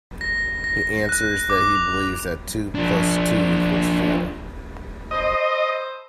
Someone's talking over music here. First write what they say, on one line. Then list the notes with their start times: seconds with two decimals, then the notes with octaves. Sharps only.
He answers that he believes that two plus two equals four.
0.21 A#6
0.64 A#6
1.09 F#6
1.50 D6
1.75 F7
2.75 F3 D4
5.11 A4 B4 C5 D#5